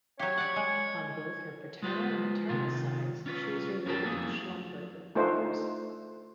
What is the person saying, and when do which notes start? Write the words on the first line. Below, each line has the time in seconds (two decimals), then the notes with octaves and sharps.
On both her paternal and maternal sides she is related to the Schlumberger brothers.
0.19 F#3 G4 C#5
0.38 D5 F#5
0.56 G#3
1.82 G#3 F4 B4 C5
2.49 C3 D#3 F4
3.26 C#4 F4 B4
3.85 E2 C#4 A#4 B4 G5 A5
4.05 F2 A3 A#3 E4 G#4
5.15 A3 D4 D#4 F4 B4 C5